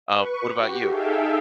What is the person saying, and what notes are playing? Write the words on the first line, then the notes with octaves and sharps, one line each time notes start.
Um, what about you?
B4 C#6
F#4 G4
D#4 G#4 A4 E5 F5 G5